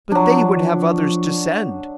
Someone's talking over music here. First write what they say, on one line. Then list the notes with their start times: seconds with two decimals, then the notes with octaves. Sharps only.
But they would have others to send.
0.12 F3 F#3 D4